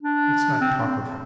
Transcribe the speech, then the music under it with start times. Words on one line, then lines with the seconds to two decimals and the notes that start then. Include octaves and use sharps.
Let's not talk of him.
0.03 D4
0.61 C4